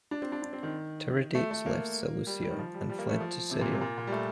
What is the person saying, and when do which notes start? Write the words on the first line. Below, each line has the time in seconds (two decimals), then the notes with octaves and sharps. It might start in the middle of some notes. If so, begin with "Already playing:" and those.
Tiridates left Seleucia and fled to Syria.
0.11 D4
0.22 C4
0.32 D4
0.42 D4
0.53 C4
0.63 D#3
1.35 A3
1.51 A3
1.66 A#3
2.27 G3
2.43 G3
2.50 D#3
2.59 F3
2.74 G3
2.90 G3
2.99 A#3
3.10 A3
3.20 F3
3.51 C3
3.61 A#2
3.72 C3
3.81 A#2
3.98 A#2
4.07 G3
4.12 A3